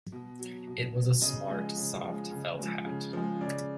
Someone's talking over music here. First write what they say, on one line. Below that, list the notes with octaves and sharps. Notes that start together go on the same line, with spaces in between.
It was a smart soft felt hat.
B2
F#3
B2
F#3
C#3 D#5
F3 G#3
C#3
F3 G#3
C#3
F3 G#3
C#3
F3 G#3
C#3 D5